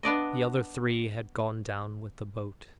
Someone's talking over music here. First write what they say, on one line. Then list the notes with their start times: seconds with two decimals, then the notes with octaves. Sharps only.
The other three had gone down with the boat.
0.03 B3 D4 D5 D#5